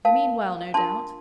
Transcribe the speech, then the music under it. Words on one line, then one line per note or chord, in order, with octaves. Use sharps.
'You mean well, no doubt.
D#4 A#4 F5 A5
D4 F4 A#4 A5 C6